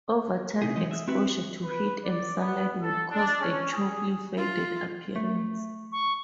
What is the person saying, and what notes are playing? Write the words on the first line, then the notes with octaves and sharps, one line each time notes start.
Over time exposure to heat and sunlight would cause a chalky faded appearance.
C3 D#4 E4 G#4
E3 G#3 B3 D#4 D#5
E5
C4 E4 F#4 G4 B4
B4
D5
B3
A4
D4
C#4
G#4
F4
A3
C#6